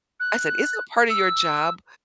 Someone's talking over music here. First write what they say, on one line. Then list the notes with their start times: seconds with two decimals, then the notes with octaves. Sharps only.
I said, "...isn't part of your job
0.20 F#6
1.10 E6